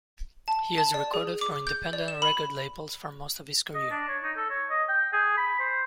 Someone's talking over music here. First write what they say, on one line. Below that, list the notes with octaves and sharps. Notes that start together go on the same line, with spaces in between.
He has recorded for independent record labels for most of his career.
A5
A5
D5
G#4
D6
G6
D5
E7
B5
D#5
D4
C#5
D#4
A4
C#5
D#5
G5
G#4
B5
C5